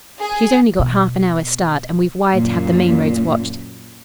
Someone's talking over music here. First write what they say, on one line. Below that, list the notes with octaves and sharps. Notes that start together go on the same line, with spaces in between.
She's only got half an hour's start, and we've wired to have the main roads watched.
G#4
B2
F#2 A#2